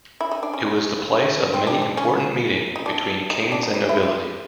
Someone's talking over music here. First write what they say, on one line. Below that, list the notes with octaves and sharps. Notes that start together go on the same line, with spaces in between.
It was the place of many important meeting between kings and nobility.
E4
D#4
D4
C#4
C4
D4
D4
C#4
D#4
D4
D#4
D#4
D4
D#4
D#4
E4
F4